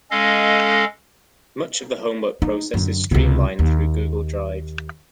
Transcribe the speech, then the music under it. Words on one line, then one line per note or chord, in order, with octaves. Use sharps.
Much of the homework process is streamlined through Google Drive.
G#3 C#4 A4 D#5 F5
D#4
F#2 D3
C#2 C3
D#2